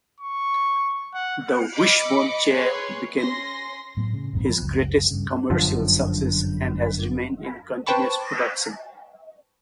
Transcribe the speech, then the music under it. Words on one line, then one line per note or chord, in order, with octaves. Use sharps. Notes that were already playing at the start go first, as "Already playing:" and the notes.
The Wishbone Chair became his greatest commercial success and has remained in continuous production.
C#6
F#5
D#5 B5 D6 C#7
G#4 B4 C#5 C6
C#4 C6 A#6
A2 F#3 B3
C#3
A#1 F2 G#2 C3
F3
F#1 C#2 F#2
G2 C#3
G1 F#2 D3 F3
B4 C5 G5 A5 B5 C#6